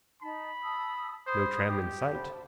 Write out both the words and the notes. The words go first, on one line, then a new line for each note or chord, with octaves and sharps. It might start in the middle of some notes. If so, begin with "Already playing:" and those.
No tram in sight.
D#4 A5 B5
A5 D#6 E6
C5 B5 D#6 G#6
G4
C5 A5 B5